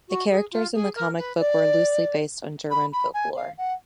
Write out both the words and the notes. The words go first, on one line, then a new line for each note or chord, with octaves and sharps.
The characters in the comic book were loosely based on German folklore.
F#4
G#4
F4
G#4
A#4
B4
D5
B5
B5
G#5
F5
F#5